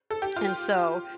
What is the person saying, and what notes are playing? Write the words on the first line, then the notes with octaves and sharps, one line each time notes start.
and so
A4
G4
F4